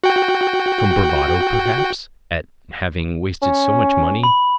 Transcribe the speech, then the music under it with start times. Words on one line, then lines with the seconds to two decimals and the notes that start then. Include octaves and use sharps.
From bravado perhaps ... at having wasted so much money....
0.04 F#4 G5
3.42 C#4
4.23 B5